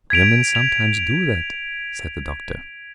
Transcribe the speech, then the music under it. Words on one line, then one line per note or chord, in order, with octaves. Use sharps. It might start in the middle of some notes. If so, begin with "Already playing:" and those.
"Women sometimes do that," said the Doctor.
G#6 B6 D7 F7
F7